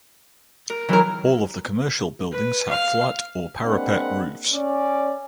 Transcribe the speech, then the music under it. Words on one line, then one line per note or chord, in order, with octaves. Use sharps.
All of the commercial buildings have flat or parapet roofs.
A#4
D#3 E3 F#3 E4 A#4
B4
F5
G#3 A#3 C4 D4 B4 F#5
C#4 D5